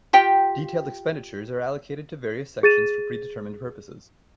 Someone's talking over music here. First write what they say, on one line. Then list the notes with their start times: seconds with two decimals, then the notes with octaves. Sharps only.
Detailed expenditures are allocated to various sections for pre-determined purposes.
0.13 F4 G4 G5
2.63 G#4 A6 D#7 E7